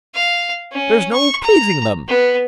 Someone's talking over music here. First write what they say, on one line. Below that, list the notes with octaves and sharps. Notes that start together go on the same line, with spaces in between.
There's no pleasing them!'
F5
C#4
C#6
A#5
B3